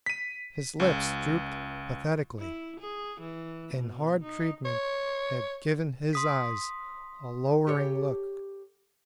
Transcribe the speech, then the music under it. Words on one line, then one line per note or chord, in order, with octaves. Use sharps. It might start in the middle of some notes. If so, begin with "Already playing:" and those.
His lips drooped pathetically, and hard treatment had given his eyes a lowering look.
B6 D#7
C#2
E4
G#4
E3
B2
D#4
C#5
C6 D#6 B6
G4 A4 C#5